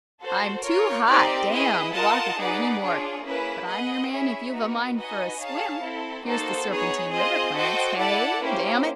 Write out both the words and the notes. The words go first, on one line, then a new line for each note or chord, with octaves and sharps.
"I'm too hot, damme, to walk with you any more--but I'm your man if you've a mind for a swim--here's the Serpentine river, Clarence--hey? damn it!--hey?"
F#4 A4 C5
F4 A#4 C#5
C4 D#4 G4 A#4 D5
E4 G#4 B4 D#5
F4 A#4 D#5 F#5 A5
D#4 G#4 B4 D5 F#5
D4 F4 G#4 C#5
A#3 C#4 E4 G#4 B4
G#4 B4 D#5 F#5
C#4 E4 G#4 C#5 E5
B3 D#4 F#4 A#4
D#4 F#4 B4 D#5 G#5
D#4 G#4 C#5 F5 A5
C4 E4 A4
A#3 D#4 F#4 A4 C5
B3 D#4 G#4 C#5
C4 F4 G#4 C5 D#5
F#4 A4 C5 D#5 G5
E4 A4 D5 F#5 A5
A#3 C#4 E4 G4 C5